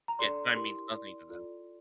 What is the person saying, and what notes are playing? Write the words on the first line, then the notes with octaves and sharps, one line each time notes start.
yeah, time means nothing to them.
A#5
D4 A4 D5 C6
E4 G4 A#4 C6
E4 A#4 D5
F4 A4 D5